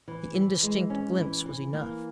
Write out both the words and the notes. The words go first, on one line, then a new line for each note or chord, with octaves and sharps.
The indistinct glimpse was enough.
E3
E3
G#3
C#4
E3
E3
A#3